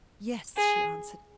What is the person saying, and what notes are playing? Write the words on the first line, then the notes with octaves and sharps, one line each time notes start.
"Yes," she answered.
G#4